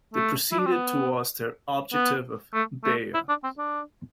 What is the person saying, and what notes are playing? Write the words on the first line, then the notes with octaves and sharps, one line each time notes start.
They proceeded towards their objective of Bayeux.
A3
E4
D4
C4
B3
B3
A3
A3
E4
D4
C4
D4